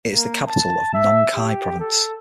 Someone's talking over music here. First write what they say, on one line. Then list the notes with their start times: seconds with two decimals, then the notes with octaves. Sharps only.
It is the capital of Nong Khai Province.
0.14 A#3
0.48 A5
0.94 E5
1.36 G4
1.80 A4